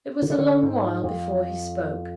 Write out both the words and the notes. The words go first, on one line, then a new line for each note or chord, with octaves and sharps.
It was a long while before he spoke.
D3
C#3
D3
G#2
F2